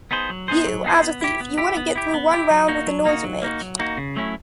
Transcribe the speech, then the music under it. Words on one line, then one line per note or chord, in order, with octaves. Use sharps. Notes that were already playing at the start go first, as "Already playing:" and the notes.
You, as a thief, you wouldn’t get through one round with the noise you make.
B3 D#4 G#4 C5
F#3
B3 D#4 G#4 C5
F#3
B3 D#4 G#4 C5
B3
E4 G4
B3
E4 G4
B3
E4 G4
B3
E4 G4
F#3
A#3 D#4 F#4
F#3
A#3 D#4 F#4
F#3
A#3 D#4 F#4
F#3
A#3 D#4 F#4
C#3
F#3 A3 C#4 E4